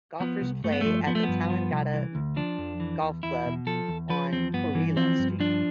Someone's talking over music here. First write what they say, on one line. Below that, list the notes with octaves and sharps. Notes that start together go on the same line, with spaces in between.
Golfers play at the Tallangatta Golf Club on Coorilla Street.
F3 B3
C2
G2 A3
B3
F3 A3
F3 B3
A3
B3
G2
F3
C2
E3
D2
F3 D4
F2
E3
E2
E2 E4
B2
F3 A4
E2
F3 B4
E2 C4
G2 B3
E3
F3 C4
G2
F3 D4